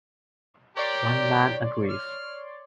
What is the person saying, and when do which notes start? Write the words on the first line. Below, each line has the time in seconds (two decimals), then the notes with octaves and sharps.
One man agrees.
0.77 G4 A#4 C#5 D5 G5 C6
1.90 F6